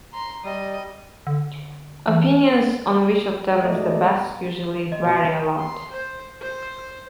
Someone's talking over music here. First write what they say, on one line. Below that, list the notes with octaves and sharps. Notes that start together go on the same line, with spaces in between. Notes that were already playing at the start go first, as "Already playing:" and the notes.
Opinions on which of them is the best usually vary a lot.
A#5 C6
G3 D#5
D3
E3
G#2 B2 A3 D#4 D5 D#5
C4 D#5
B2
C6
C5
C5